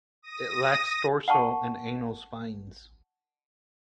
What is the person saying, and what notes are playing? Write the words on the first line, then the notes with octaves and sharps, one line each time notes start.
It lacks dorsal and anal spines.
D#6 A#6 D#7
F#5 G5 A5 C#6